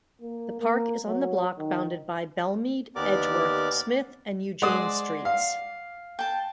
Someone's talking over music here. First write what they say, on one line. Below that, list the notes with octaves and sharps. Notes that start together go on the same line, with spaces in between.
The park is on the block bounded by Bellemeade, Edgeworth, Smith, and Eugene Streets.
A#3
A#3
F#3
D#3
D#2 B3 G4 A#4 D5 D6
G#3 C5 D5 F#5 D#6
F5
G5 A5